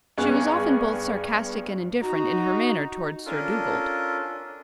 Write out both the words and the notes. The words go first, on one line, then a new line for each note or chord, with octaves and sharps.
She was often both sarcastic and indifferent in her manner toward Sir Dugald.
G2 B3 G#4 G#5 C#6 F#6
D#4 F#4 A#5
C#4 D4 F4 A4 A#4